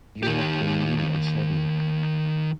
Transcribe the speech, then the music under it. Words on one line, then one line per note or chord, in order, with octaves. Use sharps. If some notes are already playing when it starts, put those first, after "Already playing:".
You have been mean and shabby.
D#3 G4